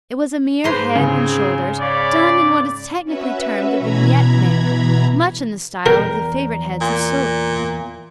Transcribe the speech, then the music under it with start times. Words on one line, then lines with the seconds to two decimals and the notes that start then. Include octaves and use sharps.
It was a mere head and shoulders, done in what is technically termed a vignette manner; much in the style of the favorite heads of Sully.
0.64 G#2 B4 C5 A#5 C6
0.95 C#3 C4 G#4
1.80 C#5 D5 F5 B5
3.05 C#4 F#4 B4 E5
3.79 B2 E3 A#5 B5 G#6
5.86 E2 A#4 G5 A#5
6.81 A#2